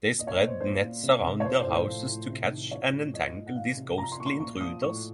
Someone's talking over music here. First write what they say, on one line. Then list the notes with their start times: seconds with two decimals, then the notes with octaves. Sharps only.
They spread nets about their houses to catch and entangle these ghostly intruders.
0.19 A#2 D#5
0.27 C#5
0.33 D#5
0.40 A#2
0.47 C5
0.61 A#2 C5
0.82 A#2
1.03 C3
1.24 C3
1.40 C#5
1.45 F3 C5
1.60 C5
1.66 A2
1.74 C5
1.87 F3
2.08 A2
2.30 C3
2.51 D#3
2.71 F3 C#5
2.92 A2
3.14 F3 D#5
3.35 A2
3.47 F#5
3.56 D#3 F5
3.77 C3
3.98 F3 A#5
4.12 C6
4.20 A#2 C#6
4.26 C6
4.40 A#2 C#6
4.61 F3 D#6
4.82 A2 C#6